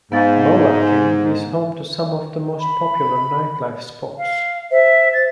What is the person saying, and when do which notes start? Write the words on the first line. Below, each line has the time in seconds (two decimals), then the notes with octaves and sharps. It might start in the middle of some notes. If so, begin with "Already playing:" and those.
Mohlakeng is home to some of the most popular nightlife spots.
0.12 G#2 B3 F5 A6
2.60 B5
4.18 F5
4.71 C5 E5
5.14 A6